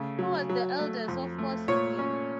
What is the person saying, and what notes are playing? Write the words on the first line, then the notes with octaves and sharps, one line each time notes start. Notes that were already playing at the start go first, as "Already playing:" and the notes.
He was eldest of four siblings.
Already playing: C#3 A3
F#3
F#3
A3
F2
A3
A#2 C#5
C#4